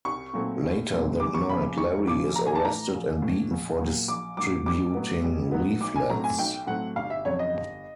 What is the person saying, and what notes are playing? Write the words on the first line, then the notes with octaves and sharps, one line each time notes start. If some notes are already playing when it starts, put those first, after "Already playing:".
Later that night, Larry is arrested and beaten for distributing leaflets.
C2 C#6
A#2 F#3 A3 C4
C2
A#2 F#3 A3 C4
F1 D6
C#6
E2 C#3 F3 B5
F1 C#6
E2 C#3 F3 D6
A#1 A#5
G#5
A5
A2 E3 A#5
A#1
A2 E3
A#1
A#2 F#3
A#1 D6
A#2 F#3 D6
A1 D6
A2 F#3 B3
A1
A2 F#3 B3
B1 D6
G#5
A2 F#3 A3 C4 A#5
G#5
B1 G5
A2 F#3 A3 C4 F#5
G1 F5
E5
F2 C#3 F#3 C#5
D#5
G1